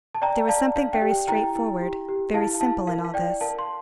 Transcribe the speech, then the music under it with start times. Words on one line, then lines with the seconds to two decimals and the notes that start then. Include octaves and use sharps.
There was something very straightforward, very simple, in all this.
0.15 A5
0.22 D5 G5 A#5
0.48 D5 F5 A5
0.76 D4 F5
0.93 G5
1.02 G4
1.11 G5
1.28 E4 G5 A#5
1.55 E4
1.81 G4
2.08 G4
2.34 E4 F5 A5
2.61 E4 F5 A5
2.87 A#4 F5
3.05 F5
3.14 D5 G5
3.41 A#4 F5 A5
3.59 C6